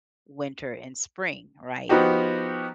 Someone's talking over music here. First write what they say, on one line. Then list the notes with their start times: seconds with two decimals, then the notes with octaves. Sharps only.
winter and spring, right?
1.89 F3 B3 D#4 F#4 G4